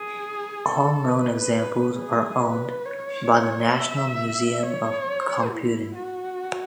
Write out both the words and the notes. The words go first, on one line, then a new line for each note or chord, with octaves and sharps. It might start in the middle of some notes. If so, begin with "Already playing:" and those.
All known examples are owned by The National Museum of Computing.
Already playing: G#4
A4
B4
G#4
B4
C#5
E5
C#5
E4
F#4